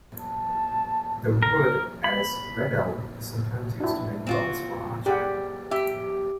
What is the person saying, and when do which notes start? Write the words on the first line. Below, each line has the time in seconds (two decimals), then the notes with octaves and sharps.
The wood, as 'red elm', is sometimes used to make bows for archery.
0.21 A5
1.43 A#4
2.04 B5
3.80 D4 E4
4.27 C4 F4 F#4
5.06 G3 G4 G#4 F#5
5.71 G4 E5